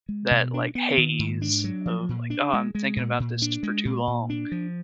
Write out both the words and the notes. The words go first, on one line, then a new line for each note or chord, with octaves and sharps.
that, like, haze of, like, "Oh, I'm thinking about this for too long."
G#3
B2
D4
B3
D#3
G#2
D4
F#3
F3
A#2
D4
G#3
G#3
A#2
A#2
D4
G#3
A#2
A#2
D4
F3